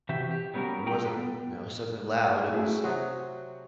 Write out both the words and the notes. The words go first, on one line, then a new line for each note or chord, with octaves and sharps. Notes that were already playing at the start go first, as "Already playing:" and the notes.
It wasn't, you know, something loud, it was,
C3 E3 F#4 G4 E5
G4
F#3 G3 B3 C#4 F#4 A#4
G#4 G5 A#5
F4 A4 B4
B3
F#3 A3 C#4 E4 G#4
C3 F#3 F#4 C5 D#6